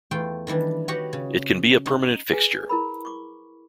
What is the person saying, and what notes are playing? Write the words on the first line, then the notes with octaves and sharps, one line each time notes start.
It can be a permanent fixture.
E2 A3 F4 G5 C6
D#3 E3 G3 D4
F#4 G4 B4 C#5 D#5 F#5
C#3
D#4
G#4 B4 G#5
E4 A#4 B5
C#6 D6